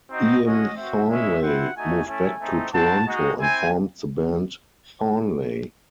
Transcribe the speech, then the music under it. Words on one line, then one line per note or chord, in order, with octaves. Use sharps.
Ian Thornley moved back to Toronto and formed the band Thornley.
C4 D#4 F#4 D#5
G#3 C#4 F#4 D#5
C4 F#4 E5
G#3 C#4 E4 E5
C4 E4 F#5
A3 D#4 F#4 G#5
A3 C#4 E4 G#5
A3 C4 D#4
C4 F#4 A5
G#3 D#4 F#4
C4 E4 G#5